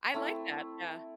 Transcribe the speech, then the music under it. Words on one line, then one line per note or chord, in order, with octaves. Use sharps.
I like that, yeah.
A3 C4 E4